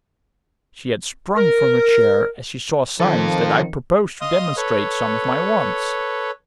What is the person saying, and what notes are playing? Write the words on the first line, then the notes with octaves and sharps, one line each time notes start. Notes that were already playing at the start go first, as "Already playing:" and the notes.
She had sprung from her chair, as she saw signs that I proposed to demonstrate some of my wants.
A#4
F2 D#3 F3 A4
D#5 F5 C6 D#6
A4 B4 C#5